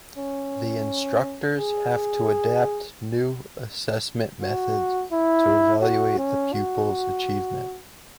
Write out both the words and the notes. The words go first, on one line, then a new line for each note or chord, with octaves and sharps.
The instructors have to adapt new assessment methods to evaluate the pupils' achievement.
C#4
G#4
F#4
E4
F#4
C#4
F#4